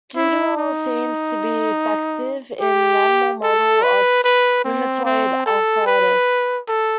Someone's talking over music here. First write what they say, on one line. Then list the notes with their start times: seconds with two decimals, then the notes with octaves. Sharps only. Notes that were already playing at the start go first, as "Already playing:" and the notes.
Gingerol seems to be effective in an animal model of rheumatoid arthritis.
0.16 E4
0.57 D#4
2.61 G4
3.43 A4
3.83 B4
4.24 B4
4.65 C4
5.05 C4
5.47 A4
5.87 B4
6.69 A4